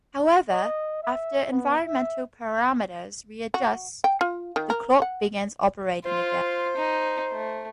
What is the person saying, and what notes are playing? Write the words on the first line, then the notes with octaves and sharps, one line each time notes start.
However, after environmental parameters readjust, the clock begins operating again.
D#5
E5
B3
E5
F#4
G5
F4
D#3
A#4
F#5
F4 C5
D#4
A3